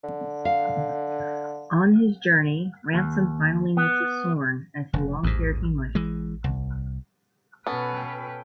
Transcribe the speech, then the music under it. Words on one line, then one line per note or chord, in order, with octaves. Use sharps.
On his journey, Ransom finally meets a "sorn," as he long feared he might.
D3
F5
D#2
B3
F1
A1 D#2 G#2
E3 G#3
C2
B2 B3 C#4 A4 B4
G5